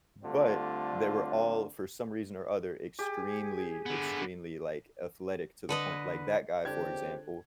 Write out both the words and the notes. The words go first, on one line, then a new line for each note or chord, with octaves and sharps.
But they were all, for some reason or other, extremely, extremely, like, athletic to the point like that guy, for example,
D3 G3 A3 C4 D4 F4
G4 G#4
D3 B3
D3 B4 D#5
C#2 D3 C4 D4 G4 G#6